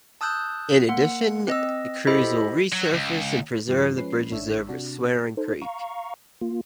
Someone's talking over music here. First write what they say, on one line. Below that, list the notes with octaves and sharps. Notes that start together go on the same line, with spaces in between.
In addition, crews will resurface and preserve the bridges over Swearing Creek.
A5 D#6 E6 F#6 G6
A#3 F#5
C4 D#5 E6
E4 G4 A4 C5 D#5 B5
F#3
C#2
G2 D#3 F3 G4 C7
F3 G#3 C#4 B4 C7
G#1 D4 C#5 E5 E6
C3 D4 F#4
D#4 A4 C5
F5 A#5 C#6
A#3 F4